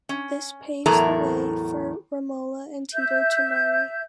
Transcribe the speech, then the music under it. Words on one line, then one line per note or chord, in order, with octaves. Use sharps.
This paves the way for Romola and Tito to marry.
C#4
E2 A2 F#3 A4 A#4 A#5
E5 G6